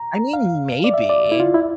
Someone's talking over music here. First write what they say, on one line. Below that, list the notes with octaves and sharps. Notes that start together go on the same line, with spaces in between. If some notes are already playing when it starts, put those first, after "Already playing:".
I mean, maybe.
Already playing: A#5
F5
D5
E5
D5
E4
F4
E4